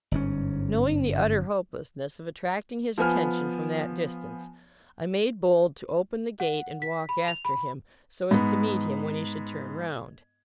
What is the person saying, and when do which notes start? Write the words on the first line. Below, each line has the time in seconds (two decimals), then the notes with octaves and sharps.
Knowing the utter hopelessness of attracting his attention from that distance, I made bold to open the gate, and walk after him, so as to meet him when he should turn round.
0.11 G1 G#2 C#4
2.98 F3 B3 G#5 F6
6.40 F#5
6.82 B6
7.09 B5
7.28 F7
7.45 B5
8.31 G#2 B3